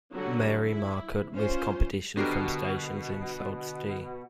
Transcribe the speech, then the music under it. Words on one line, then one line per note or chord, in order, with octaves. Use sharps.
Marie market, with competition from stations in Sault Ste.
D3 F#3 G3 F#4
E4
C#4 F4 C5
B2 D3 F#4 G4 A#4 C7